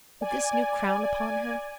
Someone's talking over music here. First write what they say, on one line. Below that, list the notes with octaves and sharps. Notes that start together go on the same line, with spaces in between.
With this new crown upon her!
D5 G#5